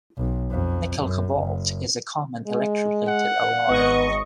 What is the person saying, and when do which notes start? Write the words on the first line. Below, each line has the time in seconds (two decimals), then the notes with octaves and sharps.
Nickel-Cobalt is a common electroplated alloy.
0.18 B1
0.51 F2
1.00 F#2
1.38 F#1
2.47 G#3
3.08 F#5
3.69 G#1 B3 D#5 C#6